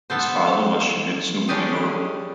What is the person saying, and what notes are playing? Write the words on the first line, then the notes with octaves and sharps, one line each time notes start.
His father was Shimizu Munenori.
B3 A4 C5
C#4 D4 G4 G#4